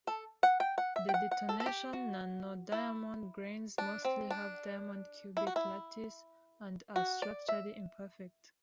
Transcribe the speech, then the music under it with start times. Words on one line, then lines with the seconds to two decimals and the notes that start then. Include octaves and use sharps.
The detonation nanodiamond grains mostly have diamond cubic lattice and are structurally imperfect.
0.07 A4
0.43 F#5
0.60 G5
0.78 F#5
0.96 E5
1.09 G5
1.14 F#5
1.31 F#5
1.49 A4
1.60 A4
1.66 G4
1.93 F#4
2.72 E4
3.78 D4
4.05 C4
4.31 D4
5.37 E4
5.47 F#4
5.56 E4
6.96 F#4
7.22 D5
7.48 E5